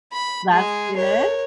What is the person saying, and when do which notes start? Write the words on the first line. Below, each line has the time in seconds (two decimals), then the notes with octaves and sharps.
That's good.
0.13 B5
0.51 G#3 G#4
0.97 A#4 C#5